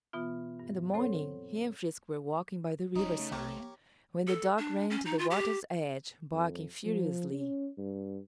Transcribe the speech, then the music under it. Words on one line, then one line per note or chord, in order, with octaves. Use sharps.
In the morning he and Frisk were walking by the riverside when the dog ran to the water's edge, barking furiously.
B2 E3 B3 F4
G2
F#3 C4 A4 C5 C#5
E1 F#3 G3 C#4 D#4
C#3 A3
B1 G4 A#4 C#5
A4
D4
C#4
D#4
F4
G4
F2
F3
C#4
G2